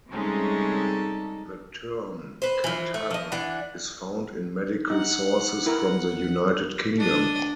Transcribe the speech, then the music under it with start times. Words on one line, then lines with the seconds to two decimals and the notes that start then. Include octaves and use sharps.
The term "catarrh" is found in medical sources from the United Kingdom.
0.12 C3 G3 G#3 C#4 D#4 A4
2.42 B4 C5
2.64 E3 F3
2.94 A3
3.11 F3 D#5
3.32 E3 D4 D5 F#5
4.90 D#4 F#5
5.66 E4 A#4
6.99 D4 D#5